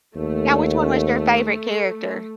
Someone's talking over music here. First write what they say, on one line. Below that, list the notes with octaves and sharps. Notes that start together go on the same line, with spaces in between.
Now which one was your favorite character?
D#2 A3